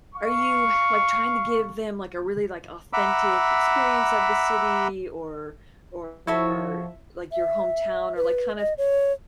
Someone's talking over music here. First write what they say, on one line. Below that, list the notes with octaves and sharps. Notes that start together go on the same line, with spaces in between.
are you, like, trying to give them, like, a really, like, authentic experience of the city or or, like, your hometown or, like, kind of
F5 C#6
E5 F#5 A#5 B5 D6 E6
F3 E4 F#4 A4 C#5 E5
E5
B4
D#5
C#5